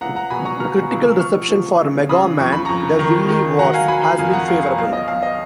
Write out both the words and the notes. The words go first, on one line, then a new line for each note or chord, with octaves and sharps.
Critical reception for "Mega Man: The Wily Wars" has been favorable.
C#2 F#5 A#5
F#5 A#5
B2 G#5 B5
A#5 C#6
B2 C#6 F6
C#2
F3 C#6 F6
F3
C#3
C#3 B5 D#6
F2 C#6
B5
F2 A#5 C#6
D#3
D#3
F#3 F#5 A#5
F5 G#5
F#3 G#5 B5
G#5 B5
F2 F5 G#5
F#5 A#5
F2 F5
F5
B1 F5
D#5
B1 F5
D#5